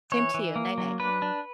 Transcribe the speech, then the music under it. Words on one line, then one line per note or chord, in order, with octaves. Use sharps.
Same to you, night night.
E3 C#5
E3
A#3
F#3
D4 B4
D4